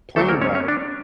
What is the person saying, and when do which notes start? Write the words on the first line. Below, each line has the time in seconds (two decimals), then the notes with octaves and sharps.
a plane ride,
0.15 D2 D3 F#3 A3 A#3 A4
0.28 A#3 A#4
0.41 C#4 C#5
0.55 C#4 C#5
0.68 D4 D5